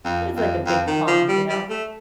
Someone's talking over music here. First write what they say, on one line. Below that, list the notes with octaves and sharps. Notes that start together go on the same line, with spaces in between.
it was like a big pond, you know?
F2
F2
F2
D#3
F3
G3
G3
A3